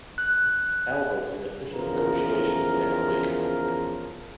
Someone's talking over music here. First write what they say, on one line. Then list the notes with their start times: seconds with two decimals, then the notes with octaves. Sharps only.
Elba was in official negotiations the next week.
0.18 F#6
1.72 E2 C#3 F3 A#4